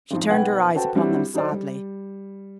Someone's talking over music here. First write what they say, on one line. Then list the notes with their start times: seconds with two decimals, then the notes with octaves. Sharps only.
She turned her eyes upon them sadly.
0.11 G#1 G#2 F3
0.30 B1 B4 F#5 G5 G#6
0.75 F#4 A4 B4 C5 G5 A5
0.95 F#3 G3 C4 D4 E4 F#4
1.34 F#3 D#4 A4 C5 D5
1.52 G3